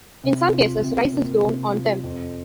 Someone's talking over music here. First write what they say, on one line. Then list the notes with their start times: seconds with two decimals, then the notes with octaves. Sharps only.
In some cases, rice is grown on them.
0.24 C3
0.54 F4
0.84 C3
1.14 A#3
1.43 C3
1.74 F4
2.03 F2